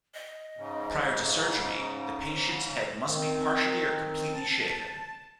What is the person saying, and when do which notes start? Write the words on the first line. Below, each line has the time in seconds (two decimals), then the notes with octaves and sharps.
Prior to surgery, the patient's head must be partially or completely shaven.
0.14 D#5
0.57 G#2 C#3
3.05 D#3 C4
4.34 A5